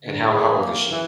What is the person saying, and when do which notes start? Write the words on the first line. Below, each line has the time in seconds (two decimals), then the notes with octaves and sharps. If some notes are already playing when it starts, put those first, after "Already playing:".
And how how old is she?
0.01 D3
0.27 G#4
0.53 A#3
0.91 E3